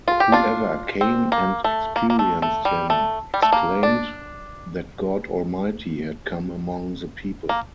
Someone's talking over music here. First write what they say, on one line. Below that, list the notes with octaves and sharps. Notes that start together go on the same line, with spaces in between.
Whoever came and experienced him exclaimed that God Almighty had come among the people.
F4
G4
D4 F4
C4
A#3
A3
A#3
A#3
A3
A3
G3
A3
G3
A3
A#3
D4
A#3